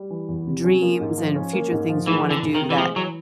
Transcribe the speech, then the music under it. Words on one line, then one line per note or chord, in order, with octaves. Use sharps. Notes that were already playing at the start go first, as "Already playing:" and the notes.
dreams and future things you wanna do that
Already playing: G3
E3
E2
C3
C#4
A#3
G#2
F3
C#4
A#3
G#2
F3
E3 G#3
E3
D3
C#2
D#3
C3
E3
F3 G#3
E3 F#3